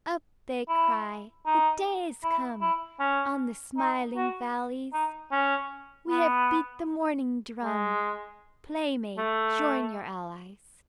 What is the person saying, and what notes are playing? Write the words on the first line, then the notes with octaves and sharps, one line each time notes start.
"Up!" they cry, "the day is come On the smiling valleys: We have beat the morning drum; Playmate, join your allies!"
E4
D#4
E4
E4
C#4
D#4
F#4
D#4
C#4
B3
G#3
A3